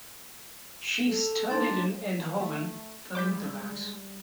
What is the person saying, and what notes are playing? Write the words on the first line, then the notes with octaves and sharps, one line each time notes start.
She studied in Eindhoven, The Netherlands.
A4 E7 F7
D4 D#4 C6 A6 E7
A3
G3 G#3 D6 G6 B6